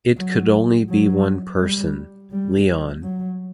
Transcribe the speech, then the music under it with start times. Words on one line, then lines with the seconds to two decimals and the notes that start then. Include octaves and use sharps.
It could only be one person — Leon.
0.18 F#3
0.89 F#3
1.60 G3
2.31 G3
3.03 F#3